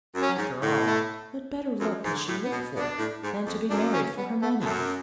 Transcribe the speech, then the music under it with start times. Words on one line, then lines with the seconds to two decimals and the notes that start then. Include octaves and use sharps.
After all, what better luck could she look for than to be married for her money?
0.14 F#2
0.22 C#4
0.37 G#2
0.61 A2
0.86 A3
1.80 F#2 F3
2.04 G#2
2.12 D3
2.27 A2
2.44 B3
2.51 B2
2.75 B2 D4
2.98 A2
3.23 G#2
3.46 F2
3.70 F#2 D4
3.93 C#4
4.17 B3
4.42 A3
4.60 F2
4.65 F#2 A3